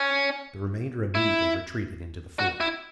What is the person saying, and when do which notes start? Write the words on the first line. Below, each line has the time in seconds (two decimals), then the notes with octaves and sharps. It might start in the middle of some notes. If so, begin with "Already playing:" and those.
The remainder immediately retreated into the fort.
Already playing: C#4
1.15 E4
2.39 F#4
2.60 E4